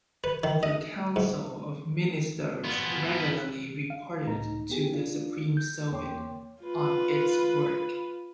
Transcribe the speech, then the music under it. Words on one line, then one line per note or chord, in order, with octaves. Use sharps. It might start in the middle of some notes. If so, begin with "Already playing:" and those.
The Council of Ministers regularly reported to the Supreme Soviet on its work.
B4
D#3
D#5
G#2
B3 F4
F5
C#2 A2 D#4 A#5
B3 G4 G#4
D4 F4
G6
E2 A#3 C#5 G5 C6 D6
F4 B4